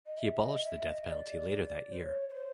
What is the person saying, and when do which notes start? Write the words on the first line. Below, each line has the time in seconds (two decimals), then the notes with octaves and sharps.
He abolished the death penalty later that year.
0.06 D#5
0.18 E5
0.41 D#5
0.64 E5
0.88 D#5
1.11 D5
1.92 C5
2.03 C#5
2.29 C#5
2.34 C5